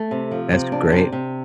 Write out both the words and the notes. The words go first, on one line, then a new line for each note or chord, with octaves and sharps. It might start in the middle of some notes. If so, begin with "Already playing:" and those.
That's great.
Already playing: A3
C3
F3
C3
D4
C3
C3